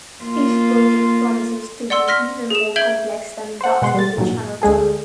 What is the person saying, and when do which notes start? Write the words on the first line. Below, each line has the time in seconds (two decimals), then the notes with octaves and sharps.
This project promises to be even more complex than that of the Channel Tunnel.
0.23 A#3 F4
1.90 D5 F#5 C6 E6
2.08 C6 F6 A#6 B6
2.50 G#4 E7
2.76 E5 G6 G#6 D7 F#7 G7
3.61 C5 F#5
3.82 B2 G#3 F#5 C6
3.95 G3 A6
4.16 G2 A#2 D#3 F#3
4.62 D2 G#3 G#4 A4